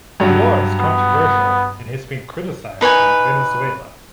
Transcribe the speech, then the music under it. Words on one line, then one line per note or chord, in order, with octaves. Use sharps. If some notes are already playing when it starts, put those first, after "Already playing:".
The law is controversial and has been criticized in Venezuela.
G2 F#3
B3
D#4 B4 C#5 G#5